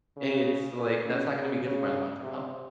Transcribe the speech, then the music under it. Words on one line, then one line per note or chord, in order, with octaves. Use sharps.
i It's like, that's not gonna be good for my long-term health.
C#3
A#2
C#3
C#3
C#3
C3